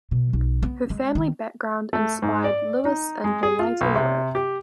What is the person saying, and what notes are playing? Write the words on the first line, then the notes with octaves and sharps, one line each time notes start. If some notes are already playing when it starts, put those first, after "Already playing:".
Her family background inspired Lewis in her later work.
B2
B1
B3
G#3
D#3
A3
G#2
D5
D#4
G#3
G#4
F4
B1
C3
G4